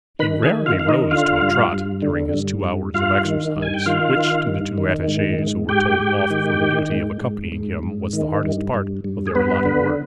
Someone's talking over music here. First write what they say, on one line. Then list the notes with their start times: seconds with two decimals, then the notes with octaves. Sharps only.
He rarely rose to a trot during his two hours of exercise, which to the two attache's who were told off for the duty of accompanying him was the hardest part of their allotted work.
0.19 D#3 B4 B5
0.43 G#4 G#5
0.50 D#3
0.66 F4 F5
0.79 D#3 F5
0.89 D#4 D#5
1.11 D3 F4 F5
1.42 G2
1.72 G2
2.02 D3
2.34 G2
2.64 G2
2.94 G2 F4 F5
3.25 D#3
3.56 G2
3.62 G#5
3.74 G5
3.86 D#3 F4 F5
4.17 D#3
4.47 G2
4.78 D#3
5.08 G#2
5.39 G#2
5.69 G#2 G4 G5
6.00 G#2
6.30 D#3
6.60 D#3
6.91 G#2
7.21 G#2
7.52 G#2
7.83 G#2
8.13 D#3
8.43 G2
8.74 G2
9.04 G2
9.27 G#4
9.35 G2 B3 B4
9.65 D3